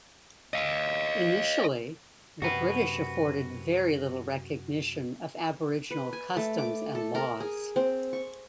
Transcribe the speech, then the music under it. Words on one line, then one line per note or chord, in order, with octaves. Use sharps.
Initially, the British afforded very little recognition of Aboriginal customs and laws.
D#5 F5
F#2 C3 F#4 B4
B4
G#5
A3
D6
A4
A#4
G#4
C4
C#6